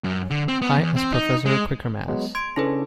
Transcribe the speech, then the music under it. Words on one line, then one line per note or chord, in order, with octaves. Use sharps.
High as Professor Quakermass.
F#2
D3
C4
B3
E2
C4
D#4
G#3
F#3 G#3 B3
C6 G#6 D7
C#3 C#4 D4 E4 A4 B4